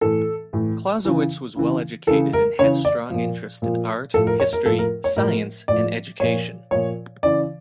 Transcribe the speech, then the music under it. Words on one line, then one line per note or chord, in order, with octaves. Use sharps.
Clausewitz was well-educated and had strong interests in art, history, science, and education.
A2 E3 A4
A2 E3
C#3 E3
C#3 E3
C#3 E3 A4
A#4
C#3 E3 C#5
D5
A#2 F3
A#2 F3
A2 F3 A4
A#4
C#5
A#4
A2 F3 A4
A#4
C#5
A2 F3 A#4
A2 F3 D5
A#2 F3 C#5
A#2 F3 C#5
C#3 E3 D5